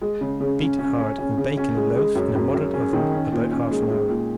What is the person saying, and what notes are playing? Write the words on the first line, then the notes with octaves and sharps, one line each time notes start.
Beat hard and bake in a loaf in a moderate oven about half an hour.
G#3
C#3
C#3
C#4
C#4
C#4
C#4
C#3
C#4
G#3
G#3
F#2
F#2
F#2
C#4
D#3
C#4
A#2
C#4
G#3
G#3
A#2